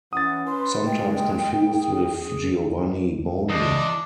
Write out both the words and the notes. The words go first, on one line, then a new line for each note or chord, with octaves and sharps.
Sometimes confused with Giovanni Boni.
E3 C#4 F#5 D#6 A6
B4 C6
G#3 A#3 G5
G#4
E2 D4 D#5